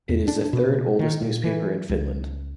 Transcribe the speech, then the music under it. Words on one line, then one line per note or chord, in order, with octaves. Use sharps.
It is the third oldest newspaper in Finland.
E2
D4
B2
D#3
A#2
E3
C#2